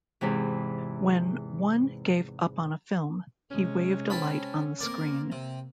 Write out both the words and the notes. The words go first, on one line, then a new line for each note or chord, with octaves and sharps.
When one gave up on a film, he waved a light on the screen.
E2 G#2 C3 E3
C3 G#3 C#4
C4 A5 B5
A#3 C4 A#4 D5
C3